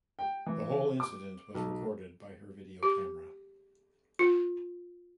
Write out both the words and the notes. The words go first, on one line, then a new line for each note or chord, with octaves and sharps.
The whole incident was recorded by her video camera.
G5
E3
D6
B1
G4
F4